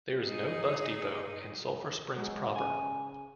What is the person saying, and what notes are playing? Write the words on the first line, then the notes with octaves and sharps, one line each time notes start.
There is no bus depot in Sulphur Springs proper.
D#4 G#4
F#3 G#3
C#3 G#5